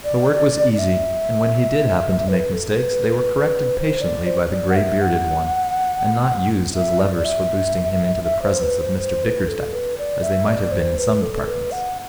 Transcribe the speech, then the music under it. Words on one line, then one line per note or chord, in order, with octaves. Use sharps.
The work was easy; and when he did happen to make mistakes, they were corrected patiently by the grey-bearded one, and not used as levers for boosting him into the presence of Mr Bickersdyke, as they might have been in some departments.
D5
D5
E5
B4
A4
B4
C5
D5
C5
C5
D5
F#5
E5
F#5
E5
D5
E5
E5
C5
B4
C5
C5
B4
A4
B4
D5
E5
D5
C5
B4
A4
B4
F#5